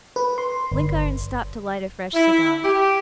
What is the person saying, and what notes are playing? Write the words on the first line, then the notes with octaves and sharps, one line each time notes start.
Blenkiron stopped to light a fresh cigar.
B4
C6
G1
E4
G4